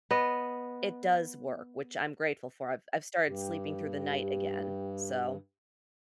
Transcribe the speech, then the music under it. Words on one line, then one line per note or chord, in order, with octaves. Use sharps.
it does work, which I'm grateful for. I've I've started sleeping through the night again. So
B3 D#5
G2 G4